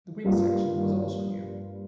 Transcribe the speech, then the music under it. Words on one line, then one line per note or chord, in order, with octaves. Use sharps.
The wing section was also new.
G2 G3 A#3 F4